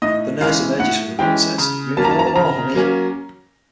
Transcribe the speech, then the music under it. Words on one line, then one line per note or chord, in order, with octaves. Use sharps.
The nurse emerges from the room and says, Room for one more, honey.
A2 D#5
E3 G#3 C#4 F5
A2 F#5
E3 G#3 C#4 G5
C#3
F#3 A#3 C#4 A5
A#5
A5
A#5
A5
C#3 A#5
F#3 A#3 C#4